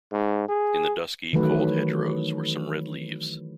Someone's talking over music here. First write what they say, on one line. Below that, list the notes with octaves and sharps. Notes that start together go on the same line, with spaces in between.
In the dusky, cold hedgerows were some red leaves.
G#2
G#4
D#3 E3 F#3 A3 B4